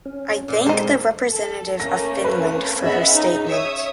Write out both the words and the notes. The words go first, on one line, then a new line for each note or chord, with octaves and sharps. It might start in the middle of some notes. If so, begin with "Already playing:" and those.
I thank the representative of Finland for her statement.
C#4
A#2 C5
F2 D3 G#3 D#4 C5 C6
A4
A3 A#3 C#4 A#6
B4
B3 C#4 G#4 D#5 E5 B5
D#4
C#5 E5 D#6